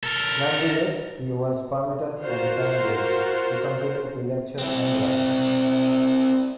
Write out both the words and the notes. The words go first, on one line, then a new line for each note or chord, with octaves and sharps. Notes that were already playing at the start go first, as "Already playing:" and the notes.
Nonetheless, he was permitted, for the time being, to continue to lecture and write.
A4 A#4
F4 F#4 A#4 C5
C4 E4